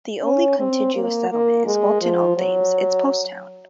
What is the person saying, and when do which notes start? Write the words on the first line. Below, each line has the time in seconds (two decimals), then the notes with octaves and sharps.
The only contiguous settlement is Walton-on-Thames, its post town.
0.23 C#4
0.58 C4
0.94 A#3
1.30 A#3
1.66 G#3
2.02 F3
2.37 F#3